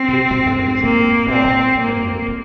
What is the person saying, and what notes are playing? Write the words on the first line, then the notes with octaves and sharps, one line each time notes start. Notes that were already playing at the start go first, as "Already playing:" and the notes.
Clintonville is an informal neighborhood.
Already playing: C4
A#3
C4
A#3